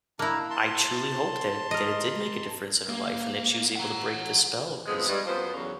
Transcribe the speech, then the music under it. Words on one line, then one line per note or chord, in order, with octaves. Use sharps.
I truly hope that it that it did make a difference in her life and that she was able to break the spell 'cause,
A#3 D4 E4 A#5
A5 C6
A#4 D#5
A#3
F#5 A#5
F3 G#3 B3 C4
G2
F#2 F3 B3 C5
E2 D3 F#3 C#4